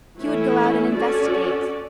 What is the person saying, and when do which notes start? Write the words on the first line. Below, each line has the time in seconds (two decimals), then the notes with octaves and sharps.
He would go out and investigate.
0.20 E3 A3 C#4 E4
0.94 C#4 F#4 A4 D5